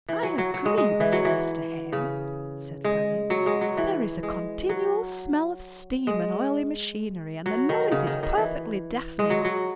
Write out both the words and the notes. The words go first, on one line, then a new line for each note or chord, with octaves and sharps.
'I agree with you, Mr. Hale!' said Fanny. 'There is a continual smell of steam, and oily machinery--and the noise is perfectly deafening.'
E3
F#3
F#3
F#3
G#3
G#3
E3
F#3
E3
C#3
G#3
F#3
G#3
F#3
E3
G#3
F#3
G#3
F#3
D#3
C#3
D#3
D#3
E3
G#3
F#3
F#3